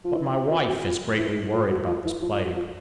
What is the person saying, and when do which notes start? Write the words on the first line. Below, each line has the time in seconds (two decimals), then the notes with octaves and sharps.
But my wife is greatly worried about this plague.
0.04 F3
0.16 E3
0.50 F3
0.67 F#3
0.84 F3
1.18 E3
1.53 F3
1.70 F#3
1.87 F3
2.05 E3
2.22 F3
2.33 F3
2.45 F#3
2.56 F3